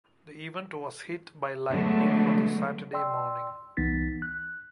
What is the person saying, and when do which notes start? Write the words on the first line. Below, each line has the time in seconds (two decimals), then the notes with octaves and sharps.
The event was hit by lightning on the Saturday morning.
1.71 D3 F#3 G#3 A3 B3
2.93 D5 G5 C6 E6
3.77 C2 E3 B3 D#4 A6 B6
4.22 F#6